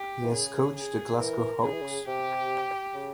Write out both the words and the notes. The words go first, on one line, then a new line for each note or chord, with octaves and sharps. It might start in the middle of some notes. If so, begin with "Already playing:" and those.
He has coached the Glasgow Hawks.
Already playing: G4
E3
C#3 G#4
G#4
E3 A#4
C#3 G#4
E3
C#3
C3 G4
C#3